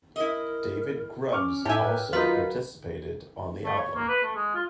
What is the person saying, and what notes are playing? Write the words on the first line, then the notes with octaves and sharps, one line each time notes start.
David Grubbs also participated on the album.
E4 A#4 D#5
C#4 C#6 D6 F6
A2 D#4 G4 A4 E5 G#5
B4 G5
F#3 D#4 F4 A#4 B4
A3
C#5
A#3
B4
A3
G#3
F4